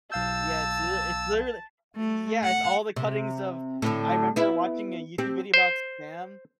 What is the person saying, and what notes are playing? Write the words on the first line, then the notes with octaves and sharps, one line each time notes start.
Yeah, it's l it's literally yeah, it's all the cuttings of I 'member watching a YouTube video about Spam.
B1 F5 A5 E6 G6
A3
F#5
C3
A2 D3
B3 E4
C4 G4
C5